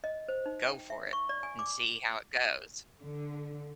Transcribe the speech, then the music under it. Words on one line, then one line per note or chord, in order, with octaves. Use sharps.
go for it and see how it goes
D#5
C5
D#4
G5
E5
C#6
D5
G#5
D6
D3